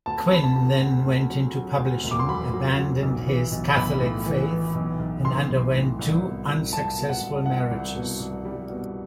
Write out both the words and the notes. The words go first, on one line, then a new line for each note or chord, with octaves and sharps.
Quinn then went into publishing, abandoned his Catholic faith, and underwent two unsuccessful marriages.
D2 A5
C3 B5
A5
C3
D2
D2
F#3
F#3
D2
E1
D6
C6
F#3 B5
F#3
F#3
B1
E3
B1
B1 B5
A2
E3
E3
B1
B1
B1 C6
B1
A2
C2
B2
C2
C2 A5
B2
F#5
C2
C2 F#5
C2
B2
C2
G3
B2